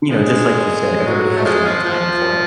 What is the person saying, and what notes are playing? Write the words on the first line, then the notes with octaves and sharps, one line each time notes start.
you know, just, like, you said, everybody has their own time for it.
F3 G#3
F#3
A3
F3 G#3
F3
F3